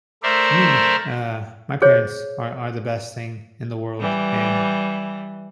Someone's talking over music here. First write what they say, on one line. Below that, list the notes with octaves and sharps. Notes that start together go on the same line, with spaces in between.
for me, uh, my parents are are the best thing in the world and
A3 A#4 C5 D5 E5
G#4 C5 C#5
E3 G3